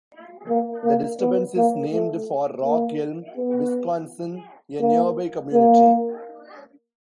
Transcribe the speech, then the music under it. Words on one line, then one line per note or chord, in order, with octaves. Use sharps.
The disturbance is named for Rock Elm, Wisconsin, a nearby community.
A#3
A#3
B3
A#3
A3
A#3
B3
A#3
A#3